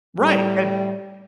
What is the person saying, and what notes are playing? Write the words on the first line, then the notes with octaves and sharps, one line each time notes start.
Right, and
A2 G3